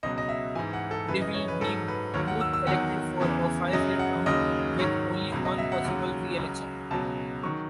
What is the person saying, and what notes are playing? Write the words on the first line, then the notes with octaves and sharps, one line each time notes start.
They will be both elected for a five-year term, with only one possible reelection.
C#2 B2 F#3 D#5
D#5
E5
G#2 E3 G#5
F#5
A4
F#2 C#3 E3 B4
D#5
C#5
B4
G#2 F#3 A4
B4
D#2 D#3 F#3 C#5
F#5
E6
E6
E2 D#3 F#3 F#5
E2 C#3 E3
F#2 C#3 F#3 D#5
F#5
D#2 C#3 F#3 D#5
G#2 D#3 F#3 C#5
C#2 B2 F#3
D#5
E5
F#5
D#2 C#3 F#3
C#2 C#3 F#3
C#2 B2 F#3 A5
D#3 F#3 C#6